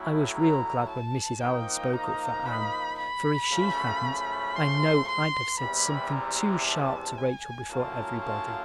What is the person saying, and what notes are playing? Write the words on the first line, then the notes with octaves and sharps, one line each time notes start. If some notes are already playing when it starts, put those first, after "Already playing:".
I was real glad when Mrs. Allan spoke up for Anne, for if she hadn't I know I'd have said something too sharp to Rachel before everybody.
Already playing: A2 F#3 A3 C#4 E4
A#5
A5
F3 A#3 D#4 G5
A#5
B5
B5
F#2 C#3 F3 A3
C6
C6
E2 C3 E3 G3 B5
A#5
A5
G#5
A2 F#3 A#3 C#4 F4 A5
A5